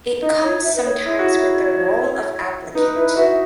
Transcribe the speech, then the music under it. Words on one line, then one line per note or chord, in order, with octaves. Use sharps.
It comes sometimes with the role of applicant.
D#4 D#5
C#5
E5
B4
C#5
E4
F#4
E4
D#4 B4
E4 B4
F#4 E5